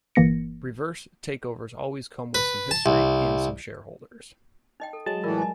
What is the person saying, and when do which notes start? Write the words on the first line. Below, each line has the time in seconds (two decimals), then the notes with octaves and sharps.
Reverse takeovers always come with some history and some shareholders.
0.15 G1 E3 A#3 A#6 C#7
2.35 B4
2.71 A5
2.86 C2
4.80 D#4 D#5 G5
4.93 A4
5.06 F#3 G#3 A5
5.24 A2 E3 F4 A#4 D5
5.38 D#5 G#5